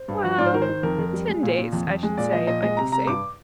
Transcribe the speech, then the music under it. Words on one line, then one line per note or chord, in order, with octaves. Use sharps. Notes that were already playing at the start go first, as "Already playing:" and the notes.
"Well--in ten days, I should say, it might be safe."
Already playing: C5
G2
F3
G#2 D5
C5
D#3 A#4
C5
D#3
F2 A#4
F2
G3
G#3
A#2
A#2
F2
F2
G#3
A#2 D5
F3 D#5
A#2 D#5
G#3 D#5
C3 A#5
C3 A#5
G2 D6